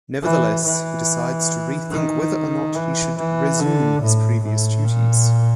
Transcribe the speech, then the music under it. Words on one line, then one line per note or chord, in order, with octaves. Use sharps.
Nevertheless, he decides to rethink whether or not he should resume his previous duties.
E3
E3
D#3
E3
E3
D3
A2
A2
A#2